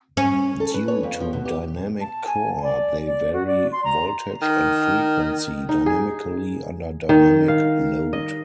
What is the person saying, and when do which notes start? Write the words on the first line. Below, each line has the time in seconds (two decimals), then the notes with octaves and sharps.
Due to dynamic core they vary voltage and frequency dynamically under dynamic load.
0.17 C#4
0.60 A4
0.74 B4
0.88 C#5
1.03 F2
1.20 F3
1.33 B2
1.45 G4
2.01 A5
2.27 G#5
2.62 D5
3.07 D5
3.33 F#4
3.47 D5
3.72 C6
3.84 A#5
4.41 D#3
5.69 D#4
5.86 G#4
7.09 D#3
7.48 F5
8.13 D#5